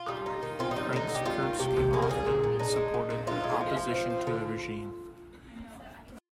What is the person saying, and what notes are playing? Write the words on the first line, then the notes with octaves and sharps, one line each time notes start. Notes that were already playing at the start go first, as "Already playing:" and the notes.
Prince Kurbsky often supported the opposition to the regime.
Already playing: F4
G3
D#4
D#3
C4 F4
D#4
G3
D3 D#4
D3
G4
G3 F4
D#3
C3 G4
C3
A#3 G#4
A#4
G3 G#4
A#2
A#2
D4 D#4
G#3
A#2
A#2
D#4 F4
G#3
F3
F3
C4
F3
D3